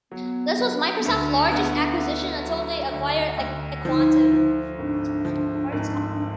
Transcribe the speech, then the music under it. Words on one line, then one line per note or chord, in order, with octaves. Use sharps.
This was Microsoft's largest acquisition until they acquired aQuantive.
F#3 B3
F#3
B3
D2 D4
B3
B3
F#3
D2
D2
F3 D#4
F3
G#1 D4
F3
G#1